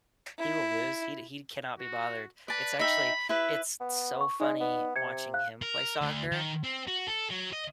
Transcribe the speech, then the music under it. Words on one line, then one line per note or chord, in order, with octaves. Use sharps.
He will lose. He he cannot be bothered. It's actually it's so funny watching him play soccer.
E4
F#4
B4 D5 A5
D#4 E5 G5 B5
E4 B4 E5
B3
C#6
G#3 D#4 D5 D#5
B3
C3 G#6 C#7
F5 F#6
A#4
D2
D#3
C4
F#4
A4
F#3
D#5